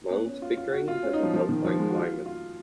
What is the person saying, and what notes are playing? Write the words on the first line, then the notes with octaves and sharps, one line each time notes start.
Mount Pickering has an alpine climate.
B3
C#4
F4
F4
F#4
F4
C#4
D#4
F3
F3
D#3
F3
G#3
F#4
F4
F4